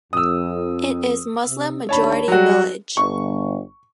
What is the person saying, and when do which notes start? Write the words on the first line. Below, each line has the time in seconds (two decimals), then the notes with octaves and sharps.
It is Muslim majority village.
0.13 F2 D#6 E6
1.47 C3
1.89 D#2 D4 C#5 A5 B5
2.28 F#3 G3 F#4
2.97 G1 C#6